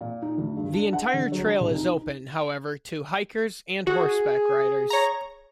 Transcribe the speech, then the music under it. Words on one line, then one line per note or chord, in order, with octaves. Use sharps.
The entire trail is open, however, to hikers and horseback riders.
A#2
D#4
D2
G2
D4
F#5
D3
F#3
D4
C2
D#4
F#4 G#4
C#5 A#5